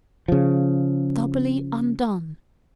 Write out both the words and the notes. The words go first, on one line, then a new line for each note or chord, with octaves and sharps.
Doubly undone!
C#3 F3